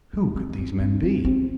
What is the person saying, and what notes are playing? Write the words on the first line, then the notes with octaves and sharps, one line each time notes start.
Who could these men be?
A3
C4
C#4
C4
C4
C4